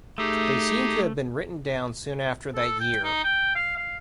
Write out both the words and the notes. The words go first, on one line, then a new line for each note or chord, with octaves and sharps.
They seem to have been written down soon after that year.
A3 D#4 G4 G#4
A4
G5
D#4
G5
F5
F5